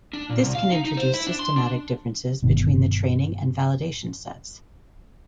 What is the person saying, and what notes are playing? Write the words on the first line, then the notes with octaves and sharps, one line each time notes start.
This can introduce systematic differences between the training and validation sets.
D4
A#2
C2
F5
D#4
D#4
C5
E4
D4
C6
D4
G1 B2 D#3